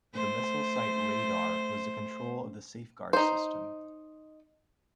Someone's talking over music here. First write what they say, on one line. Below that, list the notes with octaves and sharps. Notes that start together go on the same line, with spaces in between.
The Missile Site Radar was the control of the Safeguard system.
A3 C5
D#4 C5